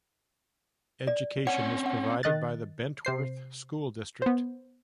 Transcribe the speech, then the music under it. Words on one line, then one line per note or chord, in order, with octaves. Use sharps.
Education is provided by the Bentworth School District.
D5
C4 C#4 C#5 F#5
F#5
D#3 D#5 F#6 A6
C3 C5 C7
B3 C5